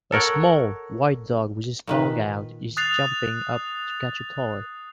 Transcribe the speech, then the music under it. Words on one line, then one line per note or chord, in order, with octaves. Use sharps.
A small, white dog with his tongue out is jumping up to catch a toy.
A4 A#4 C#5 F#5
A#2 D#3 B4
D#6 F#6 A6 C7 F7